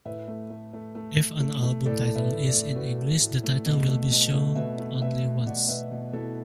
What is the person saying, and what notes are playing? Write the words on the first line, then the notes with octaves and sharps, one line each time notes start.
If an album title is in English, the title will be shown only once.
A2 B4 E5
A3
A3
A3
A3
A3
A3
A3
A2 A4 D5
A2
B4 E5
A3
A4 D5
A3
A2 F#4 B4
A3
A2
A3
B2
A3
B2
A3
B2 B4 E5
A3
A3 B4 E5
A3
B2 D5 F#5
B2 B4 E5
B2
B2 E4 A4